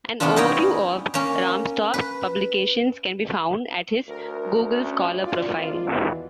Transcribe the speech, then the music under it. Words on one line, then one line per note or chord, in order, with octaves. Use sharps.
An overview of Rahmstorf's publications can be found at his Google Scholar profile.
E2 C3 B3 C#4 D4 F4
D#4 E4 C#5 D#5 G5 A#5
A#3 C#4
B4
D2 A#4
C#4
F4 D5
G#1
D#2 B2 E3